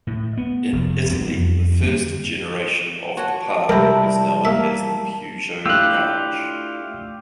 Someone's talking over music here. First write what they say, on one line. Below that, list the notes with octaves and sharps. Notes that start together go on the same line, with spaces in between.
In Italy, the first generation of the Partner was known as the Peugeot Ranch.
A2
B3
F1
E2 G2 B3 C4
F2
G2 D3 A#3
F#4 C#5 A5
C3 G3 C4 E4 A#4
A#3 E5
A3 D4 E4 F4 G4 E6 F#6